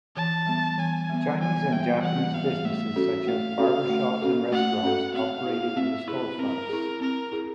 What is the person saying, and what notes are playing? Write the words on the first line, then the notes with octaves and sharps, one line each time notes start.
Chinese and Japanese businesses such as barbershops and restaurants operated in the storefronts.
E3 A5
G3 B3
E3 G#5
G3 B3
E3 G#5
G3 B3 G5
E3 F#5
G3 B3 F5
A3 E5
C#4 F#4 A4
A3 F5
C#4 F#4 A4
A3
C#4 F#4 A4
A3 F#5
C#4 F#4 A4
C4 F5
E4 G#4
C4 E5
E4 G#4 B4
C4 A#4
E4 G#4
C4 A#4
E4 G#4